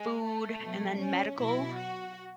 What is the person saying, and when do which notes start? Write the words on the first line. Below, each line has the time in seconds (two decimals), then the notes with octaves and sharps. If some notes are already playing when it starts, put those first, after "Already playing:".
food, and then medical,
Already playing: G#3
0.25 A3
0.63 B2 F#3
1.01 C#4
1.39 B2 F#3 E4
1.78 F#4